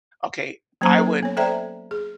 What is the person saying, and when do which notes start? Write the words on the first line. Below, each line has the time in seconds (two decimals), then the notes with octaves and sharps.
okay, I would
0.81 F#3 A#3 C#4 C5 A#5
0.98 A4
1.23 B3 C#5
1.37 A4 C5 D5 E5 G5 A#5
1.91 G#4